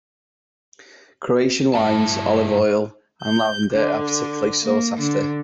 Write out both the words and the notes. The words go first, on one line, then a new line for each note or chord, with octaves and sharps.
Croatian wines, olive oil and lavender are particularly sought after.
G2 E4 A5
G6
D3
A#3
D3